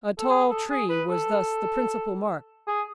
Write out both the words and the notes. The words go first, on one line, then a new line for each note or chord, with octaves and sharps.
A tall tree was thus the principal mark.
A4
G#4
A4
G#4
B4
A4
G#4